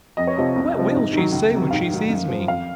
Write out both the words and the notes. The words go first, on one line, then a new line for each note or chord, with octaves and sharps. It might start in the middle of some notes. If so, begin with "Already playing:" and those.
What will she say when she sees me?
F2 D#5
C#5
C3 F3 D#5
C2
C3 F3
G#2
D#3 F#3
C#2
C3
F#3
G#2 F5
D#3 F#3
F#2
F3
F2 F5